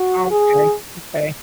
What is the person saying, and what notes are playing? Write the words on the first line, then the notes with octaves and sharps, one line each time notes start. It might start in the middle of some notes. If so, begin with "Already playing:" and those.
Okay, okay.
Already playing: F#4
G#4